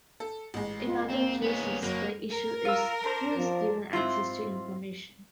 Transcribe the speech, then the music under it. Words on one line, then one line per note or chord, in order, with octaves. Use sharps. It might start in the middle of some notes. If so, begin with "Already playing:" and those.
In other cases the issue is who is given access to information.
A4
A1 G#3
F4
A#3 C4
B3 C#4
F#1 F#3 A#3
A#4
F4 E6
D4 C5
F3
G#2 C4 E4 F4